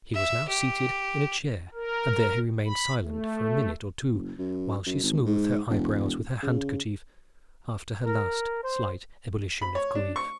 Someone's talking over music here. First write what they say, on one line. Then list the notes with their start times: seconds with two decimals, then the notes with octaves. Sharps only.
He was now seated in a chair, and there he remained silent for a minute or two, while she smoothed her eyebrows with her handkerchief after her last slight ebullition of grief.
0.14 E5
0.48 G4
1.74 A#4
2.65 B5
3.03 A3
4.14 F#1
4.39 F#2
4.86 F#2
5.03 G#1
5.25 G#2
5.69 E1
6.43 C#3
8.05 A#4
8.63 C5
9.62 B5
9.75 C#5
9.95 D4
10.16 C#6